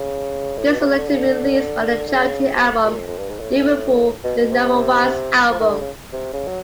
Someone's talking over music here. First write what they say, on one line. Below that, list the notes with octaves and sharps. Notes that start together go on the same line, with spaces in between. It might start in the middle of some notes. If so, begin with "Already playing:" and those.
This was later released on the charity album "Liverpool - The Number Ones Album".
Already playing: C#3
A2
A#2
B2
C3
C#3
D3
C#3
D3
D3
C#3
C3
A#2
F2
F2
G2
G#2
A2
B2
B2
C3
F3
D#3
D3
C#3
C3
C#3
F#3